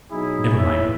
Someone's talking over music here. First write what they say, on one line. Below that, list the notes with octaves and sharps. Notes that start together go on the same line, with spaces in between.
Never mind.
B1 F#3 D#4 E4 G#4
E2 E3 C#5 E5